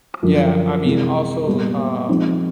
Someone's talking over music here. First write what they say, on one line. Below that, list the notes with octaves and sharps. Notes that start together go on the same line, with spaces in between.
Yeah, I mean, also, um
F#2 D3 F3
C3 E3 G#3
A#2 G3 B3
F3 G#3 C4 D#4